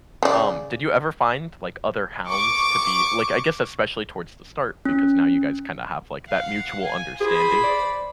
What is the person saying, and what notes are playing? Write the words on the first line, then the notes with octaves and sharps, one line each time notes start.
um, did you ever find like other hounds to be like, I guess especially towards the start, because now you guys kinda have like that mutual understanding,
C#3 D5
C#6 D6
C#4
F5 F#5
G#5
G#4 C5 B5
D5